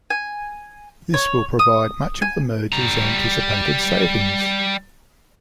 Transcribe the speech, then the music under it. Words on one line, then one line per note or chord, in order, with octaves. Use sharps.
This will provide much of the merger's anticipated savings.
G#5
C#5
D#6
G#5
G3 A#5